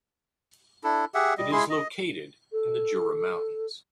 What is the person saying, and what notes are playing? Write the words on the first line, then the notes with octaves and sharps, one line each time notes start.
It is located in the Jura mountains.
D4 E4 A4
G4 G#4 E5 F#5
G3 D#5
G#3 E4 G#4 C6
D#5
A4